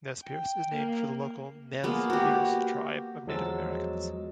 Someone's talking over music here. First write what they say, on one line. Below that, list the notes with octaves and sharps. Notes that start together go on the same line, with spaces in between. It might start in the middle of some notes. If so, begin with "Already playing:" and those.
Nezperce is named for the local Nez Perce tribe of Native Americans.
G5
A#3
G#3 A#3 B3
F#4 G4
E2 F3 F#3 G#3 E6 A6